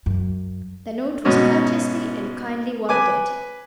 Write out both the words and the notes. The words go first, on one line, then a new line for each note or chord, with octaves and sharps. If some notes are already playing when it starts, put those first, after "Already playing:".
The note was courteously and kindly worded.
F#2
G#2 B2 C#4 F#4
B4 G#5 D6